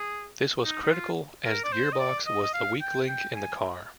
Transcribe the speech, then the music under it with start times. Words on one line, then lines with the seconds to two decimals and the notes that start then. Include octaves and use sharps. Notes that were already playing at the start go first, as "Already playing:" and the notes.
This was critical as the gearbox was the weak link in the car.
Already playing: G#4
0.63 D#4
0.82 D#4
0.90 F4
1.45 A#4
1.64 D5
1.72 C5
1.93 D#5
1.99 D5
2.26 D#5
2.42 D#5
2.54 F5
2.81 G5
3.08 G5
3.35 G#5